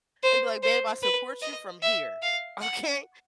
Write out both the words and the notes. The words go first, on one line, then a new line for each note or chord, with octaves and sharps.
and be like, "Babe, I support you from here, okay?"
C5
C5
B4
D#5
E5
F5
F#5